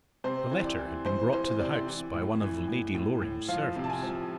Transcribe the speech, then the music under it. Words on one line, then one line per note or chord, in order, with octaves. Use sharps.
The letter had been brought to the house by one of Lady Loring's servants.
C3 C5
E3
D5
E3
E3 C5
E3 C5
C3 D5
E3
A2
E3
A2
A2
A2
F3 F5
C3
A5
G#5
F3